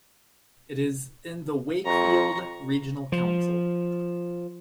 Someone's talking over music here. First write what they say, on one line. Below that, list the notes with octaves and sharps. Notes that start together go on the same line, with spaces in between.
It is in the Wakefield Regional Council.
F2 A#5 C#6
F3